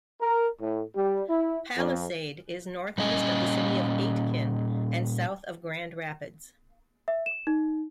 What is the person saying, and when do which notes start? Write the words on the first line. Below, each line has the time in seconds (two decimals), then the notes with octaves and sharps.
Palisade is northeast of the city of Aitkin and south of Grand Rapids.
0.21 A#4
0.60 A2
0.95 G3
1.28 E4
1.76 F2
2.98 A#2 G3 C#4 D#5 G#5
7.08 E5
7.26 E7
7.47 D#4